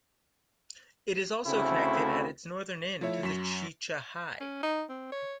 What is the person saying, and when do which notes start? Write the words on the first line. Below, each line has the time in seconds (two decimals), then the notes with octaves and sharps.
It is also connected at its northern end to the Shichahai.
1.46 D2 C#3 A3 C4 E4
3.01 F3 A3 E4 C#5 E5
3.23 F#2 F#3 C#6 B6 E7
4.41 C#4
4.63 D#4
4.89 C4
5.12 C#5